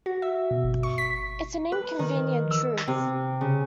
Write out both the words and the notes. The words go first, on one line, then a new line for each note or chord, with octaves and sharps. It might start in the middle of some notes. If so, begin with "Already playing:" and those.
It's an inconvenient truth.
F#4
E5
B2
G1
C#6
B6
B4
D#3
E6
C3
C#3